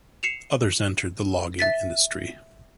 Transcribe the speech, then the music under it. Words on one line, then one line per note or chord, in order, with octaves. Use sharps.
Others entered the logging industry.
C7 C#7 E7 F7
E5 A6 B6